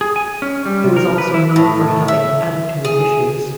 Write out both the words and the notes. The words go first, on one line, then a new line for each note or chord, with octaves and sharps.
He was also known for having attitude issues.
G#4
G#5
C#4
G3
C3
A#4
B4
E4
A2
E5
G#4